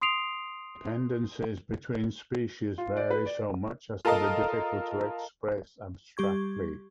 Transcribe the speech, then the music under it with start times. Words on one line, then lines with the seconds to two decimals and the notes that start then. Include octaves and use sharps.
Dependencies between species vary so much as to be difficult to express abstractly.
0.01 C6 D#6 C7 D7 F7
2.78 F4
2.97 D5
3.10 B4
3.26 D5
4.05 F4 A4 A#4 D#5 F5
6.17 G3 G4 C#6 G#6